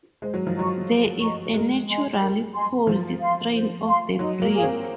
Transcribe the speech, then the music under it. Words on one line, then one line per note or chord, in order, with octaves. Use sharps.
There is a naturally polled strain of the breed.
G#3 C5
F#3
F3
F#3 D#5 A#5 C#6
C5
D#5 A#5 C#6
G#3 A#4
D#5 G#5 C6
A#4
D#5 G#5 C6
F3 C5
F5 C6
C5
F5 C6
F#3 D#4
A#3
G#4 C#5 F5
C4